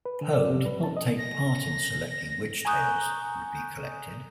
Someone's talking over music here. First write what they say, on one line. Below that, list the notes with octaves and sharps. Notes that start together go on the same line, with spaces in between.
Poe did not take part in selecting which tales would be collected.
B4
D3
D5
C3
B4
A5
D#5
A#6
G#5 A#5 C#6 D#6 F#6 G6